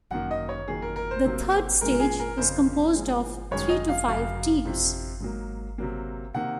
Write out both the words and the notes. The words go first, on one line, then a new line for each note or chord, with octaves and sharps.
The third stage is composed of three to five teams.
F#2 D#3 A#3 F#5
D#5
C#5
F2 D#3 F#3 A#3 G#4
A#4
A#4
C5
C3 F#3 A#3
A#2 G#3 A#4
G#4
A#4
F2 C#3 F3 C5
A#2 F3 G#3
F#2 D#3 G#3 C#5
D#5
F5
F#2 C#3 F#3 F5
F2 C3 F3
G#2 F#3 A#3
C3 F#3 A#3
C3 D#3 A#3 F#5